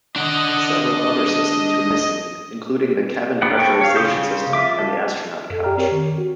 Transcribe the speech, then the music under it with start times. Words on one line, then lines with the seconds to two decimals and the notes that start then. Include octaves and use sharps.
Several other systems were missing including the cabin pressurization system and the astronaut couch.
0.16 D4 D#5 F#5
3.42 A#3 B3 D4 F#5
3.56 A4 G5 C#6
3.81 C#5 F5
3.96 C#3 C5 F5 D#6 G6
4.53 F4 E5 D6
4.79 A4
5.50 F#2 A4
5.64 G4 D5 G5 A#5 F6
5.78 C4 G4 A#4 C#5
5.92 D#3
6.18 F#4